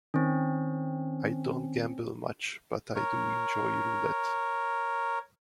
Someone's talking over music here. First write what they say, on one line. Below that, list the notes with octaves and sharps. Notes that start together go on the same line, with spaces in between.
I don't gamble much, but I do enjoy roulette.
D#3 C4 C#4
A#4 C#5